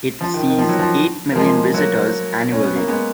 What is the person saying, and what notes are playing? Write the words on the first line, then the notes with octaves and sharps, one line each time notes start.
It sees eight million visitors annually.
F3
D#3
D#3
F3
F#3
F3
A#3
F3 G#3
F#3 A#3
C#4
B3
A#3
G#3 B3